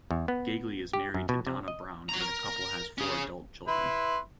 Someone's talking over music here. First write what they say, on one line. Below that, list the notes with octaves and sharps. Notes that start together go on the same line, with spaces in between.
Galey is married to Donna Brown and the couple has four adult children.
E2
B3
G4
F#2
B2
C3
D#5
F#4 A#5
A#4
C#4 G#4
E4 B4 C6